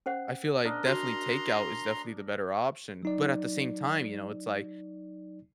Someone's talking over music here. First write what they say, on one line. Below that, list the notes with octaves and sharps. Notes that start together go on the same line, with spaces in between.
I feel like definitely takeout is definitely the better option, but at the same time, you know, it's like
C#4 C5 F#5
D4 A#4 D5 D#5
F#4 A#5 C6
F#3 D#4 D5